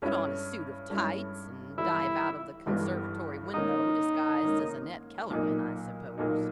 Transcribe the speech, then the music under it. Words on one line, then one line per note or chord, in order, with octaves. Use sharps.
"Put on a suit of tights and dive out of the conservatory window disguised as Annette Kellerman, I suppose."
G2 G3 C#4 E4
G2 G3 C#4 E4
G1 G2 E3 G3 B3 E4
G1 G2 E3 G3 B3
G#2 D#3 A#3 C#4 D#4
G#2 D#3 A#3 C#4
B1 A#2 A#3 D#4
B1 A#2 A#3 D#4